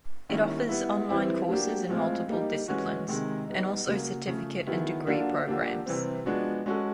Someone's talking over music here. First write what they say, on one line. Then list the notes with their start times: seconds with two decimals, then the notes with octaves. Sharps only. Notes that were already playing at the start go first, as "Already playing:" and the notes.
It offers online courses in multiple disciplines and also certificate and degree programs.
0.29 D#3 G3 A#3 C#4 E4
0.69 G3 B3 E4
1.09 E3 G3 C4 E4
1.49 F#3 A#3 D4 G4
1.89 A2 F3 G#3 C4 F4
2.28 G3 A#3 D#4 G4
2.68 E3 G#3 C#4 F#4
3.08 C3 D#3 G#3
3.48 G3 B3 D#4
3.87 C#3 F#3 A#3
4.27 C#3 F3 A3
4.67 D#3 F#3 B3 E4 G#4
5.07 D3 F#3 A#3 D4 F4
5.47 D3 F3 A#3 D4 G4
5.86 C3 E3 G3 C4
6.26 F3 G#3 B3 D4 F#4
6.66 G#3 C#4 F#4 A4